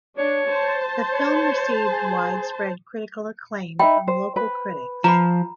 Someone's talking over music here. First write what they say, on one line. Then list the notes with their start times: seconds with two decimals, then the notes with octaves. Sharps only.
The film received widespread critical acclaim from local critics.
0.18 D4 C#5
0.48 C5 A5
1.12 C#5
1.89 G#4
3.79 D#4 E5 G5 B5
4.08 C5
4.36 B4
5.04 F3 A#5 B5